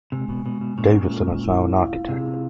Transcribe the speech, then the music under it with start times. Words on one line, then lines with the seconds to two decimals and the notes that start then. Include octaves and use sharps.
Davison is now an architect.
0.12 C3 G#3
0.29 B2
0.45 B2 G#3
0.61 B2
0.78 A#2 C#4
1.11 F4
1.43 E4
1.76 F5
2.09 C3 G#4